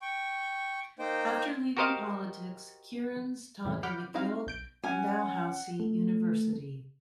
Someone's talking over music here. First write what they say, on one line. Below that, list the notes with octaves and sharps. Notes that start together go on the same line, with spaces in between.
After leaving politics, Kierans taught at McGill and Dalhousie University.
G5 C#6
A#3 D#4 C5 G5
F#4 G4 A#4 C5 D#5 F5
F2 A2 C#3 E3 A3
F#5 B5 D6 F6 G6
C4 D#4 E4 F#4 F5 A#5
B1 G6 D7
C#4 F#5 G#5
A3